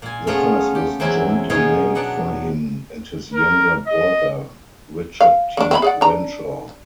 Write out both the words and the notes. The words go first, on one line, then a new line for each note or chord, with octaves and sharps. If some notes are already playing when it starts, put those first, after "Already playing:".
The first was jointly named for him and his younger brother, Richard T. Renshaw.
A#2 G#5
A3 B3 C#4 F4 G#4 A#4
G4
E2 F#3 C4 C#4 E4
B2 B3 D#4 G#4 C#5 F5
F#3 B3 D4 D5 F#5
A#4
D#5
F5
A#3 D4
C4 E5 B5
G#4 D5 F#5
D4 A#5